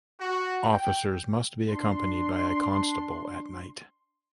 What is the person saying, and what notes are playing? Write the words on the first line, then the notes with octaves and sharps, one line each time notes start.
Officers must be accompanied by a constable at night.
F#4
G5
D4 C6